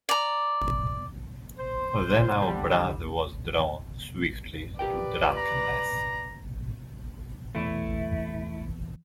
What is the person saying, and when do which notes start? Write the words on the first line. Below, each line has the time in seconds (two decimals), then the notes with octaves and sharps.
Then our brother was drawn — swiftly — to drunkenness.
0.09 D5 A#5
1.58 C5
2.42 D3 G3
4.79 G4 A#4 B4 D5 G5
5.37 A#5
7.55 E2 A3 E4